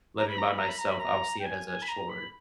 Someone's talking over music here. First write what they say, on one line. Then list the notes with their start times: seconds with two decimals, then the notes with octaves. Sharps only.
living by myself, I'll see it as a chore,
0.17 A#5
0.28 B5
0.38 A#5
0.48 B5
0.58 A#5
0.68 B5
0.78 A#5
0.89 B5
0.99 A#5
1.39 G5
1.45 G#5
1.66 G#5
1.82 B5
1.88 A#5
2.09 B5